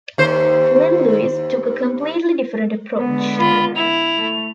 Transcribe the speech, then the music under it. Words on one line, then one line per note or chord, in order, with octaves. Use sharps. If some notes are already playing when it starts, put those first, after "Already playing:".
Lil Louis took a completely different approach.
D#2 C5
D3 G#3 B3
F4 B5
E4 F7
A3